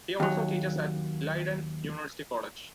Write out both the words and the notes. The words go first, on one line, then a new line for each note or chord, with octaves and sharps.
He also teaches at Leiden University College.
D#2 F#3